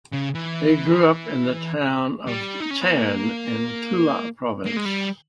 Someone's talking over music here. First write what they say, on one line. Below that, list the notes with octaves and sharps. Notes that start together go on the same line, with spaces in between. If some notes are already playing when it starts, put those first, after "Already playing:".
He grew up in the town of Chern in Tula province.
C#3
E3
G3
D#4
C#4
B3
A#3
A#3
G#3
G3